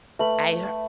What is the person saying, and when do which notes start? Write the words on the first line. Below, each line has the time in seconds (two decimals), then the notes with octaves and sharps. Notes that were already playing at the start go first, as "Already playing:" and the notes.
I her
0.19 A3 B4 B5 F#7